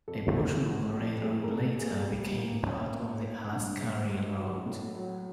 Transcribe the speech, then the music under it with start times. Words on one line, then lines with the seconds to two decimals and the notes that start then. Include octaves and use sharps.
A portion of the railroad later became part of the Alaska Railroad.
0.08 F2 A4
0.30 A4
0.36 C3 G#4
0.65 E3 A4
0.93 F2 A4
1.22 A3 G#4
1.44 A#4
1.51 C3 A4
1.79 A#3 G#4
2.08 G3
2.37 A#3
2.65 C#4
2.94 A#3
3.22 A#3
3.52 G2
3.80 G#3
4.09 G#3
4.38 F#3
4.66 A2
4.95 F#3